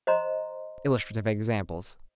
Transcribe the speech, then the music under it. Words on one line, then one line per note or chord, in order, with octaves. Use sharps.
Illustrative examples.
C5 D#5 A#5 C6